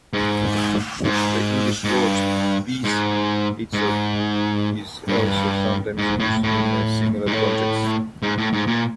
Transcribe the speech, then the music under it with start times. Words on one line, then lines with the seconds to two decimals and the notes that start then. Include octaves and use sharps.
The English word "piece" itself is also sometimes used in a similar context.
0.13 G#2
1.04 G#2
1.84 G#2
1.94 G2
2.84 G#2
3.73 G#2
5.08 G2
5.16 G#2
5.23 G2
5.98 G#2
6.20 A2
6.43 A2
7.26 G#2
7.32 A2
8.22 G#2
8.38 A2
8.53 G#2
8.67 A#2